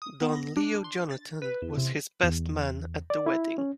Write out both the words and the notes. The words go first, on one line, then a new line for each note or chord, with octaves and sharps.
Don Leo Jonathan was his best man at the wedding.
D#6
B3
A#6
D4
C6
A6
B4
E2
C3
E2
D5
E4
C#4